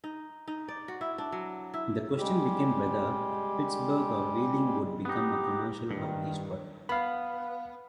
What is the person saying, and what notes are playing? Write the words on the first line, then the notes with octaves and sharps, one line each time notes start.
The question became whether Pittsburgh or Wheeling would become a commercial hub eastward.
D#4
D#4
D5
F#4
E4
D4
F#3
E4
G3 G#3 G4
B3 D#4 G4
G2 D#3
B3 F5 B5